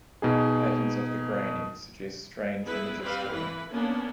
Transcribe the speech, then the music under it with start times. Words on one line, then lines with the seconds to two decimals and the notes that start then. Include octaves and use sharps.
The patterns of the graining suggested strange images to him.
0.22 B2 D#4 G#4
2.63 B3 E4 G#4 B4
3.00 G3 C4 B4 F5
3.32 E3 B4
3.71 A#3 B3 C#4 D4